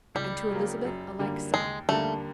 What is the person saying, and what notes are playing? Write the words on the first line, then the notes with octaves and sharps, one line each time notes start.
"And to Elizabeth a like sum."
C#2 G3
C#3 F#3 A#3
F#2
D3 G3 A#3
D#2 G#3
D3 G3 A3 A#3